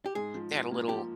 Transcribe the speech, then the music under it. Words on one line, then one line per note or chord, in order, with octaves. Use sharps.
they had a little
G4
G#2 G#4
F3
F3
A#3
F3 G4